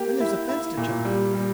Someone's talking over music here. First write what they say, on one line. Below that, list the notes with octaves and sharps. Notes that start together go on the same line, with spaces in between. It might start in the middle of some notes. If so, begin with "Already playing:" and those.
Then there's a fence to jump.
Already playing: A#3 G4
E4
E4
A#2
G3
G3